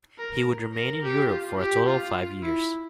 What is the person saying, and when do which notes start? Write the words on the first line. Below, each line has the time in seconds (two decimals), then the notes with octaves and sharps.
He would remain in Europe for a total of five years.
0.18 A#4
0.74 A#4
1.03 G4
1.30 F4
1.58 G4
1.87 F4
2.43 E4